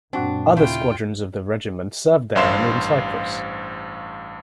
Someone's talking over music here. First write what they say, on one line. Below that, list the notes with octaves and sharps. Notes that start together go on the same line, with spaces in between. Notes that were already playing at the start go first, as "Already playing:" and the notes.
Other Squadrons of the regiment served there and in Cyprus.
F#2 A#2 C4 D4 F#4 F#5
D#2 C#3 E4 F4 G5
A1 G2 C5 F5 C6 E7